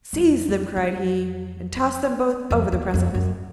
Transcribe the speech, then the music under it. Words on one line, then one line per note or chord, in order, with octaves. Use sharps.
"Seize them," cried he, "and toss them both over the precipice!"
F#2
F2
F2
F2
F2
E2
F2
F#2